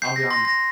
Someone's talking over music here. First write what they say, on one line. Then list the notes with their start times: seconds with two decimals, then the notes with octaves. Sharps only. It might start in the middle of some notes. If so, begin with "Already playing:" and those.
I'll be honest.
0.02 G6 C7
0.16 A#6
0.30 C6 A#6
0.45 A#6